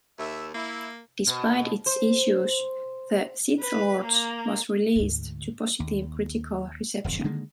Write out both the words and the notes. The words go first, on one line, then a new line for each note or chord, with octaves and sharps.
Despite its issues, "The Sith Lords" was released to positive critical reception.
D#2 E5
A#3 E4
B2
C5
B4
A#3
D2 G#2
D#2
D1 G1 F2
D3 D#3 G#3 A#3